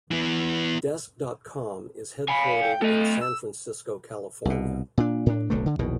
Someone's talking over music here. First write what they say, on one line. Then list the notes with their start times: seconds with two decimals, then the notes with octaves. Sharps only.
Desk dot com is headquartered in San Francisco, California.
0.11 E3 B3
2.29 F5 G#5 B5
2.61 G5
2.82 A3 A4 D#5
3.21 E6
4.45 C2 B2
4.97 A#2 D4
5.26 A2 D4
5.50 D1 B1 D3 A3
5.66 D3
5.79 A#1 E2 B2 D#3